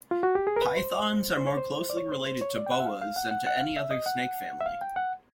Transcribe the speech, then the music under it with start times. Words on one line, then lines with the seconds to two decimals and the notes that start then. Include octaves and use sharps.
Pythons are more closely related to boas than to any other snake family.
0.11 F4
0.23 F#4
0.35 G4
0.47 G#4
0.56 A#4
0.62 B4
0.77 C5
1.37 C5
1.47 C#5
1.57 C5
1.90 D5
1.97 C#5
2.12 C5
2.26 C5
2.41 C#5
2.56 D5
2.66 G5
2.72 F#5
2.80 E5
2.86 F5
3.01 F5
3.16 F#5
3.31 F#5
3.47 F#5
3.61 F5
3.77 E5
3.91 D#5
4.06 F#5
4.61 E5
4.66 F5
4.81 G5
4.96 F#5